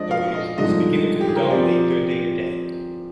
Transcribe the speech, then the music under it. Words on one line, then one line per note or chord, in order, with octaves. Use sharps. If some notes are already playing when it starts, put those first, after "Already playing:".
so it's, it's beginning to dominate their day to day.
Already playing: F3 G#3 D4 C5 D5 D#5
F5
D#5
G2 D3 F3 G#3 D#4 D#5
G4
G#4
A#4
C5
F3 C4 G4 D5